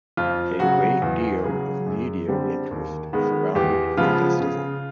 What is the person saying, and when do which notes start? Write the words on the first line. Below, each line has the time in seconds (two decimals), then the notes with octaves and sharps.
A great deal of media interest surrounded the festival.
0.17 F2 F4
0.60 C#3 F#3 F#4
1.02 E2
1.44 C#3 F#3 G#4
1.86 F#2
2.28 D3 G3 C4
2.71 D#2
3.13 D#3 G#3 B3
3.55 E2 G4
3.97 C#3 F3 G#3 B3 F4
4.40 C#3